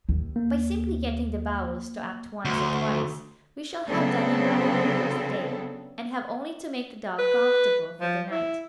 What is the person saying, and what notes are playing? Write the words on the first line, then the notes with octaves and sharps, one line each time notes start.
By simply getting the bowels to act once or twice, we shall have done enough for the first day, and have only to make the dog comfortable for the night.
D#2
A#3
D2
C#3 F#3 B3 C4 D4 A4
B4
F3
E4